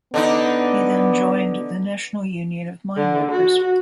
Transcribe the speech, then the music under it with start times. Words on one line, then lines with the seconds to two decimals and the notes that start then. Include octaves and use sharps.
He then joined the National Union of Mineworkers.
0.14 D3 B3 D4 D#4
2.97 D3
3.31 F#4